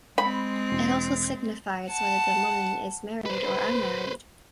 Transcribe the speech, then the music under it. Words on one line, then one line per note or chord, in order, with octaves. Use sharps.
It also signifies whether the woman is married or unmarried.
G#3 C4 B5
E1
F#5 A5
B4 C5